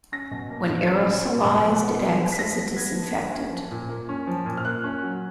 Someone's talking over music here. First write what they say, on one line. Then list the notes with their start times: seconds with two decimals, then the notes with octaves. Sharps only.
When aerosolized it acts as a disinfectant.
0.12 C#4 A#6
0.31 B2
0.50 A#3
0.69 B2
0.88 C#4
1.07 B2
1.25 A#3
1.44 B2
1.63 F3
1.82 B3
2.01 B3
2.20 F3
2.32 B6
2.38 F3 A#6
2.58 B3
2.77 B3 G#6
2.95 F3
3.14 A#3
3.33 C#4
3.52 F3
3.71 A#2
3.89 A#3
4.09 C#4
4.27 F3
4.46 A#2
4.57 F6
4.65 A#3 F#6
4.84 C#4
5.02 F#3